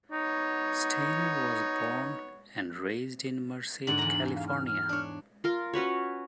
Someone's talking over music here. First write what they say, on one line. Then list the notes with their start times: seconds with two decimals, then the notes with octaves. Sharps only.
Stayner was born and raised in Merced, California.
0.12 B3 D#4 F#4 C#5
3.87 G#2 D3 F#7
3.99 E2 A#5
4.36 F5
4.48 F6
4.67 F6
4.89 D4 C#5
5.44 F4 A#4
5.73 C#4 F#4 B4 C#5